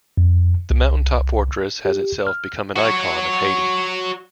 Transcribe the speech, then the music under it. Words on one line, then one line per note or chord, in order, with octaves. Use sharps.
The mountaintop fortress has itself become an icon of Haiti.
F2
C2
G4
F6
F#4 C#5